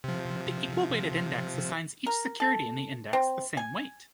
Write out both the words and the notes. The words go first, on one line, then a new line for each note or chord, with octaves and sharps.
The equal-weighted index assigns each security in the index the same weight.
C3 F3
A#4
A4
C4
G#5